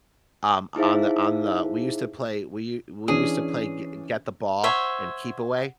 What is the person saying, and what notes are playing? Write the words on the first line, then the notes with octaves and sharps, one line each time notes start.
um, on the on the we used to play we u we used to play g get the ball and keep away,
D#4 E4 G#4 C5 E5 F5
E3 C#4 D4 G#4
C5 C#5 E5 F#5